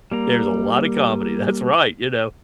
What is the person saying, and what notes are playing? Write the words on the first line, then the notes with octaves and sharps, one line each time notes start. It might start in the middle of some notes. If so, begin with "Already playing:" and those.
There's a lot of comedy, that's right, you know.
G3 A#3 A#5